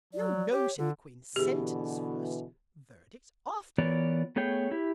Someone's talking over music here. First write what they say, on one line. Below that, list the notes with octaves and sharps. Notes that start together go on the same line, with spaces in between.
'No, no!' said the Queen. 'Sentence first--verdict afterwards.'
F#3 D5
G4 C#5
D3 F4
B2 D3 E3 G4 G#4
E3 B3 F4 A#4 C#5 D5
A3 B3 G#4 C#5 G5
E4 G4 E5